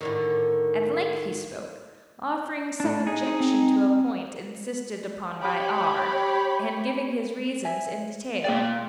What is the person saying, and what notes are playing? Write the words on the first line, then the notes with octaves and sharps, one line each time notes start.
At length he spoke; offering some objection to a point insisted upon by R., and giving his reasons in detail.
A2 D3 D#3
A2 D4
D#4 G#4
C4
G4 C#5 B5
E5 G#5
A#3 G#4 D5 G5